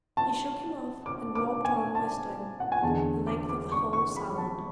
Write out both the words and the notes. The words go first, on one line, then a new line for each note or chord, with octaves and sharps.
He shook him off, and walked on whistling, the length of the whole salon.
A5
D6
D6
G#5
A5
F#5
G#5
E2 D3 G#3 A5
D6
D6
C#6
C#6
B5
A5